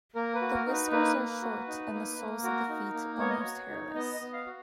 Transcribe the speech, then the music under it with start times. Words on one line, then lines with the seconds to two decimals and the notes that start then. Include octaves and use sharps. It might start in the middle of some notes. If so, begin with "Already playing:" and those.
The whiskers are short and the soles of the feet almost hairless.
0.15 A#3 A#4
0.35 B4
0.41 F#4
0.54 A#4
0.67 D#4
0.73 B4
0.91 A#3 B4
1.17 A#3
1.42 F#4
1.68 D#4
1.93 A#3
2.18 A#3
2.43 F#4 A#4
2.69 D#4
2.94 A#3
3.19 B3 C#5
3.30 D#5
3.40 F#4 C#5
3.70 D#4
3.95 B3 D#5
4.15 D#5
4.21 B3
4.33 F5
4.46 F#4